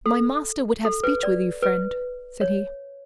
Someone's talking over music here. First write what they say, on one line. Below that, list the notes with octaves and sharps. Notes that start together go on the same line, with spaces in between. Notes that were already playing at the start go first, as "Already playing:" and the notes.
"My master would have speech with you, friend," said he.
A4
A4
B4
D5
B4
C#5